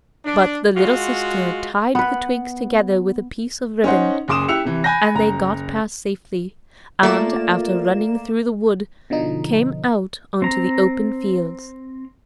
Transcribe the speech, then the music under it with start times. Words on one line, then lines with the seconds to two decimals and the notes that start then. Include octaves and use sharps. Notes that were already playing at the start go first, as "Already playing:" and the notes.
But the little sister tied the twigs together with a piece of ribbon, and they got past safely, and, after running through the wood, came out on to the open fields.
0.24 D4
0.75 G#3 F4 F#4
1.95 B3 B4
3.84 C#4 D#4 C5 F#5
4.28 F#1 G#4 C6 D6 D#6 E7
4.48 E4 G4 E6 F#6 C#7 F7
4.65 C3 E3
4.84 G#5 B5 F#6 G6 A#6
5.14 F#1 A#5
7.03 A3 A#3 F4 D5 E7
9.10 B2 D3 F3 D#4
10.42 C4 A#5